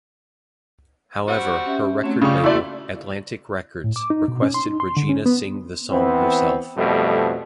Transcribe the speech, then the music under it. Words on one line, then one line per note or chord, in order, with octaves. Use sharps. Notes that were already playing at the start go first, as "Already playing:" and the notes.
However her record label, Atlantic Records, requested Regina sing the song herself.
G3 C4 F#4
C#4 G4 E5
F#3 A3 C4 C#4
C#3 G3 F4 F5 C#6
A3 A#3 E4 F#4 D5 C6
A2
D6
D#4
B2
C#4
C6
D#4
C6
D3
C#4
B3
E3 B3 C4
F2 B2 G3 A3